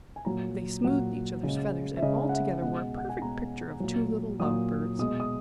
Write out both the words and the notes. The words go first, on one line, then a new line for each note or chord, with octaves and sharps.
They smoothed each other's feathers and altogether were a perfect picture of two little lovebirds.
G#5
A#2 F#3 A#5
A#2 F#3 F#5
C#3 G#3
E5
C#3 G#3 D#5
F#5
E5
B2 G#3 F#5
F#5
G#5
B2 G#3 A#5
A#2 F#3
A#2 F#3 D#6
B2 G#3 D#6
D#6